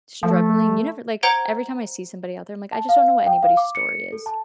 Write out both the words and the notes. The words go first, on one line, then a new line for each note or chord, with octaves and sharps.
struggling." You never like, every time I see somebody out there, I'm like, "I just don't know what anybody's story is."
F3 A3
C5 F#5 A#5 G#6 D7 G7
A5
F5
G5
F5
D6
C#7
A4
A5